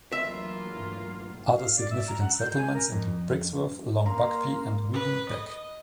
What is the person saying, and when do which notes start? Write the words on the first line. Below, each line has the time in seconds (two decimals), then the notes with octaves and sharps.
Other significant settlements include Brixworth, Long Buckby and Weedon Bec.
0.12 D2 E3 F#3 A#3 F4 E5
1.56 F5
1.76 D5
1.90 E5
2.08 A#5
2.21 F#5
2.39 G6
2.57 G#5
2.73 A#4
2.92 F2
4.06 A#3 A#5 C6
4.94 B4
5.29 D#5